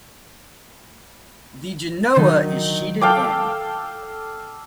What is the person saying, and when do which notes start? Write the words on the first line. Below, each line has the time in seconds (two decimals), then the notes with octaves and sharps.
The genoa is sheeted in.
2.16 D#3 F#3 D#4
3.01 A4 F5 G5 D6